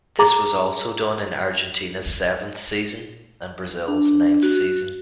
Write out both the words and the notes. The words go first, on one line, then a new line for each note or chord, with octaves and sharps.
This was also done in Argentina's seventh season and Brazil's ninth season.
G#4 A#5 D6
D4
F#4